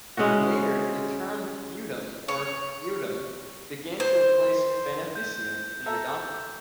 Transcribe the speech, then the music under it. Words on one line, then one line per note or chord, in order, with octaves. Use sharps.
Later, the term "feudum", or "feodum", began to replace "beneficium" in the documents.
G#3 C#4 E4 F#4
C#5
C5
G6
A4 E5 A#5